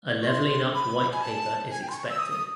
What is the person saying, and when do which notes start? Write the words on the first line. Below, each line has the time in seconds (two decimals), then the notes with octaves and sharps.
A Levelling Up white paper is expected.
0.22 C#6
0.27 C6
0.74 B5
1.12 G#5
1.22 A5
1.70 G#5
1.82 G5
1.88 C6
1.93 C#6
2.09 E6
2.17 D#6
2.30 D#6